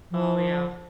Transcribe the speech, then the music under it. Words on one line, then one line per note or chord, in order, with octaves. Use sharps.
Oh, yeah.
F3